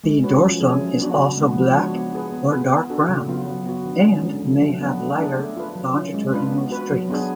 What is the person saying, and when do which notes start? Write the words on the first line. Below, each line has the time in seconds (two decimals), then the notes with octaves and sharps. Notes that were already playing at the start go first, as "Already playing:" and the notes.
The dorsum is also black or dark brown, and may have lighter longitudinal streaks.
0.04 G#3
0.23 C#4 F#4 B4
0.42 F3
0.60 A3 C#4 G#4
0.80 F#3
0.99 B3 D4 F#4
1.18 C#3
1.38 G#3 B3
1.56 F3
1.75 G#3 D4 F#4 C#5
1.94 B3
2.13 F4 G#4 B4
2.32 B3
2.51 F4 G#4 B4
2.70 B3
2.90 D4 F#4 A4
3.09 C#3
3.27 F#3 B3 F4
3.46 F#3
3.66 B3 F#4
3.85 D3
4.04 G#3 C#4
4.23 D3
4.42 F3 A3
4.62 F#3
4.81 B3 D4
5.00 A3
5.18 D4 G#4
5.38 A3
5.56 F4 B4
5.75 F#3
5.94 C#4 F4
6.14 G#3
6.33 D4 F4 B4
6.52 B3
6.71 F#4 B4
6.90 F#3
7.09 B3 D4 G#4